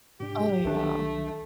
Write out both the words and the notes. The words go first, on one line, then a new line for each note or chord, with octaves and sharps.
Oh yeah.
G#2 C3 D4 G4
C2 D#3 F#3 A3 D4 E5